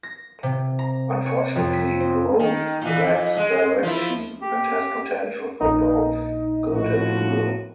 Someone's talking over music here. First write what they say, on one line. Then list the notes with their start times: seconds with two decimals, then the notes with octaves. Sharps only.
Unfortunately, Growth lacks direction, and has potential for both good and evil.
0.03 A#6
0.43 C3
0.79 A#5
1.26 C#5
1.55 F2
1.73 B6
2.00 C4
2.39 D#3
2.82 A#2 E3
3.04 F2
3.37 G#3
3.83 F3 E4
4.42 G4
5.60 A#1 D#4 D#5
6.71 A2 F3 F#4